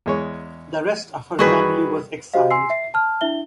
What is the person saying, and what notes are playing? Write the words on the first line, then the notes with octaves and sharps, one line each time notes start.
The rest of her family was exiled.
E2 G#3 C#5
G2 D#3 E3 F#4 G#4 B4
F#4 G4 C5 D#5 F5
G#5 C6 E6 C7
E5 C7
A5 F6
D4 E4 E5 G7